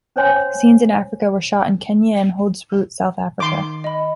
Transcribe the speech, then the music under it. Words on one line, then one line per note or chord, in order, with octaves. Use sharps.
Scenes in Africa were shot in Kenya and Hoedspruit, South Africa.
C#4 C5 C#5 G#5 C6
D#3 C6 D6
D#5 B5